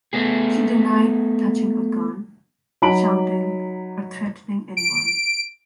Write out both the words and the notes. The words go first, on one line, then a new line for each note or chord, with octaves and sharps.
She denied touching a gun, shouting, or threatening anyone.
A3 B3 G#4
F#3 D#4 B5 D7 F#7
D7